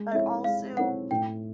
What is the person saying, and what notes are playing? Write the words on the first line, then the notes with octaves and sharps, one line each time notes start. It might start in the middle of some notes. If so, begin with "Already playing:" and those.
but also
Already playing: G#3
C4 E4 A4 C#5 E5
G#3 F5
C4 E4 A4 C#5 F#5
A2 G5